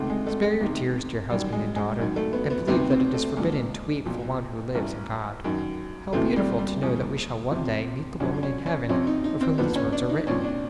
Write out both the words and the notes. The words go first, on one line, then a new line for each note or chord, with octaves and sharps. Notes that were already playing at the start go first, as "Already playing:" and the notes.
'Spare your tears, dear husband and daughter, and believe that it is forbidden to weep for one who lives in God.' How beautiful to know that we shall one day meet the woman in Heaven of whom these words are written!
Already playing: C#2 C3 D#3 A3
G#3
A3
G#3
E2 C3 D#3
F#2 D#3 G3
G#3
G#3
F#2 D#3
A3
B3
B3
D2 C3 D#3 B3
C4
A3
D#2 D3 F3 G#3
B1 A#2 F3
A1 G2 E3
F#2 D#3
D2 C3 E3 A3
G3
G3
D#2 C#3 F3
E2 C3 F3
F#2 D3 F3 C#4
C#4
C#4
F2 C3 F3 C#4
D#4
D#4
C4
D#2 D3 F3 B3
C#4
D4
D#4
C2 A#2 F3 C#4
D4